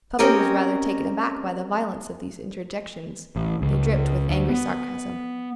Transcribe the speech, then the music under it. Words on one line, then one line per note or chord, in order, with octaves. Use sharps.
Puffin was rather taken aback by the violence of these interjections; they dripped with angry sarcasm.
C4 C#4 G4 A#4 D#5
A1
C#2
D2
B3